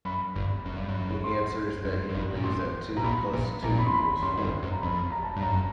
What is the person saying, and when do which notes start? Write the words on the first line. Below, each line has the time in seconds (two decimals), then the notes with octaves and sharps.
He answers that he believes that two plus two equals four.
0.05 F#2 B5
0.35 G1 G2
0.65 F#2
0.77 G2
0.89 F#2
1.24 C6
1.85 F#2
2.09 F#2
2.15 G1 G2
2.35 A#2
2.43 A1 A2 C6
2.96 B2 A#5
3.04 A#1 A#2 B5
3.33 A#1 A#2
3.63 A#1 A#2 A#5
3.79 B5
3.87 C6
3.94 B5
4.22 F#2 C6
4.38 G#2
4.43 G1 G2
4.63 F#2
4.72 A#5
4.82 F2 B5
5.12 A#5
5.23 A5
5.36 G2
5.42 F#2 A#5